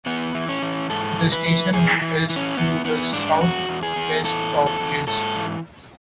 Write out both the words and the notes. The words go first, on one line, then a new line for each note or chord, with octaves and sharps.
The station is to the south west of Leeds.
E3 B3
E3
C#4
E3
G#2 A4
E3
B4
E3
E3 G#4
E3
E3
C#4
E3 B3
E3 B3
G#2 D4
E2 F#4
E2
G#4
E2
E3 A4
E2
A4
E2
G#2 A4
E3